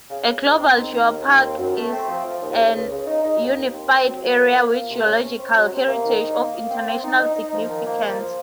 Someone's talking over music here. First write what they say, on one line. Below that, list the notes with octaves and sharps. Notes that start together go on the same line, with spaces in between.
A "Global Geopark" is a unified area with geological heritage of international significance.
C#3
C#3
C#2
C4
D#3
D#3
D#2
D#2
C4
F#2
A3
C4
F3
F3
D#2
C#3
C#2
C#3
D#4
D#4
D#2
D#2
C4
C4
F#3
A#3
F3
F4
A#3
C3
C#4
C#4
C4
F#3
C3
A#3
D#3
D#4
A#3
A#3
C4
C4
D#4
D#4
D#4
F3
D#3
A#3
F3
F3